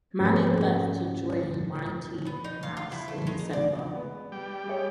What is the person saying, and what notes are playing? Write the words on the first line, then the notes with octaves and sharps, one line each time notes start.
Manning left to join Mighty Mouse in December.
G#2 F3 G#3 A3 C#4
B3
D#4
F5
F4
E4
A3
G#3
A#5
D5
G#3 B3
G3 G5
G4 G#4 C#5